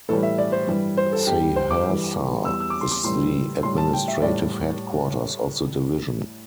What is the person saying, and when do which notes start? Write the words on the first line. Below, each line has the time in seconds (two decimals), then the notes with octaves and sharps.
Saharsa is the administrative headquarters of the division.
0.09 A2 E3 G3 A4
0.23 E5
0.38 D5
0.52 C5
0.67 G2 E3 G3
0.97 C5
1.13 A4
1.27 G2 G3 G4
1.56 C5
1.71 D6
1.86 G2 E3 G3
2.44 E2 E3 G3 E6
2.60 E6
2.70 D6
2.81 C6
2.91 D6
3.03 A2 E3 G3 C6
3.63 A2 G3 C6
3.78 A5
3.93 G5
4.08 E5
4.22 A2 G3 D5